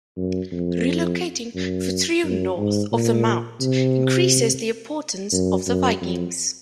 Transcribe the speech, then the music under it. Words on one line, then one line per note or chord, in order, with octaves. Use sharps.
Relocating Fortriu north of the Mounth increases the importance of the Vikings.
F#2
F2
F#2
F#2
G#2
A#2
C3
F#2
F#2
F2